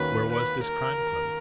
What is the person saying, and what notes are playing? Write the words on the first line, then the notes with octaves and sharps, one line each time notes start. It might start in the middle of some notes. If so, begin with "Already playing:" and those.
Where was this Crime Club?
Already playing: D#2 D#3 A#3 C#4 F#4 B4
B4
A#4